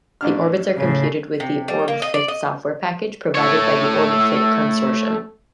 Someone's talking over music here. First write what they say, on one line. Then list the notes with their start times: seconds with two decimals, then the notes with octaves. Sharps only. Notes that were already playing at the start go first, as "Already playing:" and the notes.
The orbits are computed with the OrbFit software package provided by the OrbFit Consortium.
0.21 A1 D4 F6
0.77 A2 C#3
1.40 C3
1.68 G3
1.88 A#3
2.02 D#5
2.14 D5
2.28 D#5
3.35 A3 C#5